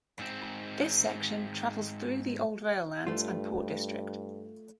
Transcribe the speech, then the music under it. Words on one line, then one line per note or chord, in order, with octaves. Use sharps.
This section travels through the old rail lands and port district.
G#2 C4
G2 A3 F4